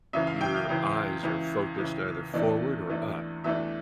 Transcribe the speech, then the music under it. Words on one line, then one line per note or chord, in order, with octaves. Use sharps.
your eyes are focused either forward or up.
C#2 C#3 E3 E5
F5
G5
F5
C#2 C#3 E3
C#2 C#3 E3
C#2 C#3 E3
E2 E3 A3 D4 D5
E2 E3 A3 D4
E2 E3 A3 D4 E5